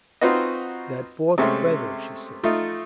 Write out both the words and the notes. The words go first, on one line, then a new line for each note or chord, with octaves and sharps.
"That fourth feather," she said.
C4 D#4 F4 F#4 B4 D#5
C3 G#3 A3 C4 C#4
A3 D#4 F4